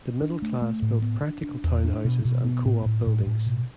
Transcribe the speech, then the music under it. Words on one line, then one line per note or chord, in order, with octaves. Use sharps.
The middle class built practical townhouses and coop buildings.
D4
A3
A3
A2
B3
D4
D4
E2
D4
B2
B2
B3
A2
A2
A2
A2
B2